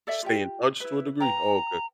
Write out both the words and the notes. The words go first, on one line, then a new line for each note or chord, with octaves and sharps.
stay in touch, to a degree? Oh, okay.
A4 D5 E5
F4 G4 G5
E4 B4
B4 G5 A#5